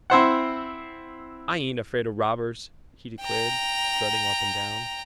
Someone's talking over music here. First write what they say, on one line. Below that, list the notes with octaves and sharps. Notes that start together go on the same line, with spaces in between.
"I ain't afraid of robbers," he declared, strutting up and down.
C4 E4 C5 F#5
G5 A#5